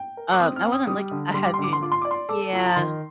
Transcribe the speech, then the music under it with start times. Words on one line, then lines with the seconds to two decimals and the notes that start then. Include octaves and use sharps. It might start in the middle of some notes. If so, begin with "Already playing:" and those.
um, I wasn't, like, a heavy yeah.
Already playing: G5
0.17 A#4
0.32 D6
0.40 C4 D#6
0.56 F6
0.64 C4
0.72 D#6
0.87 G3 D#6
1.11 D3
1.34 G3 C6
1.44 D6
1.54 C6
1.59 D3 D6
1.73 C6
1.81 F4 D6
1.92 C6
2.02 D5 D6
2.11 C6
2.29 A4 D6
2.53 F4 A5
2.66 A#5
2.76 D#3 C6